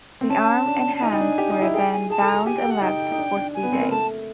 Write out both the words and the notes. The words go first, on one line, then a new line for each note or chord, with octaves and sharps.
The arm and hand were then bound and left for three days.
C4
C#4 A5
D4
A5
D#4 G#5
D#4
D4
G4
D#4
E4
G#4 G5
G#5
G#4 A5
A4
A#5
G#4
G4 G#5
G5
A4
F#5
D#4 G5
D#4
D4
D4
G#5
B3
C4
A#3
A3 A5